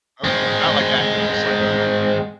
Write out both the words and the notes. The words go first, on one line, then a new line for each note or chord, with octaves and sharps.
Okay, not like activists like a
G#3 C4